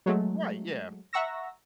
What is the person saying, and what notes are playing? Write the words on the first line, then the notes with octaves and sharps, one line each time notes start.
Right, yeah,
F#3 G#3 A3
E5 F#5 A#5 C#6 E6 A#6